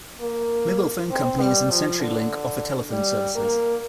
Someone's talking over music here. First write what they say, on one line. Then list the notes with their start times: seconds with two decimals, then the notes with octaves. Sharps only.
Mobile phone companies and Century Link offer telephone services.
0.21 A#3
1.11 C4
1.41 G3
1.71 F3
2.01 D3
2.90 G3
3.36 A#3